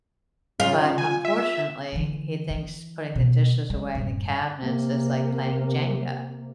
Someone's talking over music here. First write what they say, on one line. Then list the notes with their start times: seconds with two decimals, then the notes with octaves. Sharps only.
but unfortunately, he thinks putting the dishes away in the cabinets is like playing Jenga,
0.60 C#3 F4
0.98 G#5
1.25 E5
1.92 D3 E3
2.50 E3
3.15 B2
3.70 G#3
3.95 D#1 G2
4.61 C3 A#3